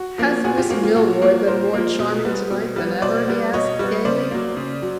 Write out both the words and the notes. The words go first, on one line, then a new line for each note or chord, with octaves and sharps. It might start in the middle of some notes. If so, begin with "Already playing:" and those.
"Has Miss Milroy been more charming to-night than ever?" he asked, gayly.
Already playing: F#4
F3 A#3
A#2 F#4 G#4
F4 G4
F3 A#3 F#4
F4
A#2 F#4
F3 A#3 F#4
A#2 A#4 C5
F3 A#3
B2
G3 B3
B2
G3 B3
B2 C5 D5
G3 B3
B2 C#5 D#5
G3 B3
C#3 C5 D5
F#3 A#3
C#3
F#3